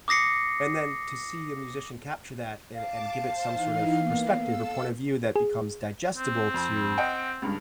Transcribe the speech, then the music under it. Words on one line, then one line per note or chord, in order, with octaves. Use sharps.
and then to see a musician capture that and and give it some sort of perspective or point of view that becomes digestible to
D6 D#6 A#6 C7 C#7
F5 A5 D6
C5 A5
E3 D#4
A#3 B3
A4 E6
G#4
C4
F2
D#5 F#5 G5
C#2 G2